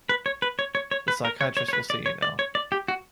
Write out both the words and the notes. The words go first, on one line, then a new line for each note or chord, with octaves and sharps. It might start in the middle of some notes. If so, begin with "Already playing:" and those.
The psychiatrist will see you now.
B4
C#5
B4
C#5
C#5
C#5
B4
A#4
C#5
C#5
C#5
B4
D5
C#5
D5
C#5
D5
G4
F#4